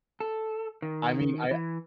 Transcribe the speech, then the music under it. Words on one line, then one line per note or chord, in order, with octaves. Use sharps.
I mean, I
A4
D#3
E3